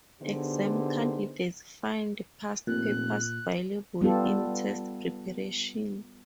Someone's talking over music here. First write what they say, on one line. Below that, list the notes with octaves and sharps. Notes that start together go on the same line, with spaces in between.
Exam candidates find past papers valuable in test preparation.
D3 B3 D#4 G4 G#4 C5
F1 A#2 F#6
G3 B3 F4 G4 A4